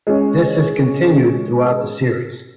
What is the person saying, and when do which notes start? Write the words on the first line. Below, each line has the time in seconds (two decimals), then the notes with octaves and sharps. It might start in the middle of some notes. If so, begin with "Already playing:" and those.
This is continued throughout the series.
0.07 G#3 C#4